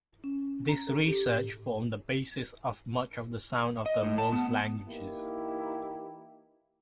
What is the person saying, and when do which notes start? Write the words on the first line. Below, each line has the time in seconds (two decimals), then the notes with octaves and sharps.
This research formed the basis of much of "The Sounds of the World's Languages".
0.24 C#4
0.69 A#5
0.87 A4
1.07 G4
1.26 A2
3.86 D#5
4.03 A2
4.18 A5
4.33 B3
4.88 E3 A#3 D#4 E4 G4